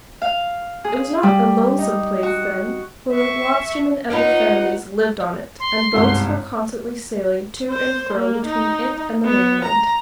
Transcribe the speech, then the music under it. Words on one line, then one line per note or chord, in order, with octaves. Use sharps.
It was not a lonesome place then, for the lobstermen and their families lived on it, and boats were constantly sailing to and fro between it and the mainland.
F5
G#4
G3
D#4
F#4
E5 C#6
C#4 D#4 F4 B4 F#5
C6
G1 C2 G#2
C5
A#3
D#4
B3
A#5